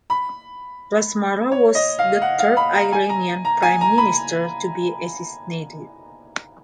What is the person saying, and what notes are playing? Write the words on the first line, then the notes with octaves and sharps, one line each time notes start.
Razmara was the third Iranian prime minister to be assassinated.
B5
C#5
D#5
F5
F#5
F5
B5
A#5
G#5
A#5
A#5
G#5
A#5
B5